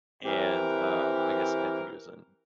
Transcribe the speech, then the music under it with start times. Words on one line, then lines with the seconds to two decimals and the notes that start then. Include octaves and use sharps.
and, uh, I guess I think it was in
0.25 E3 C4 G4 A#4 B4